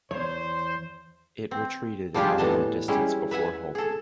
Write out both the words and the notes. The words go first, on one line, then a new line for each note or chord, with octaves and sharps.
It retreated an unknown distance before halting.
E2 C5 C#5
C4
F3 G3 D4 F4 G4 G#4
A2 E3 B3 D4 D#5 A5
G3 G#3 C#4 E4
B4 E5 F#5 G#5
G#4 A4